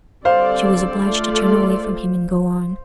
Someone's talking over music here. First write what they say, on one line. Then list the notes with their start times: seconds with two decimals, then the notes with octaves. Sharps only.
She was obliged to turn away from him and go on.
0.25 D3 G3 C4 A4 C5 D5 F5
1.03 A3 F4 A4 D5